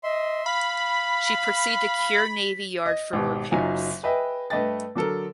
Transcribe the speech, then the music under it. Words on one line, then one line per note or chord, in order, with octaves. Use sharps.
She proceeded to Kure Navy Yard for repairs.
D#5 E5 C6
F5 B5 B6
D#5
G#1 B2 G4
F#1 F#3 D#4 F4 G#5
G#4 B4 D#5 E5 G5
G2 A3 B4 D#5 G5 A6
D3 F#3 A4 A#4